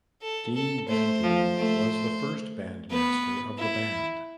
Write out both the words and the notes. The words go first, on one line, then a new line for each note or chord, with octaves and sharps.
Deen Bandhu was the first bandmaster of the band.
A4
A4
A3 C5
F3
A3
B3 B4
E4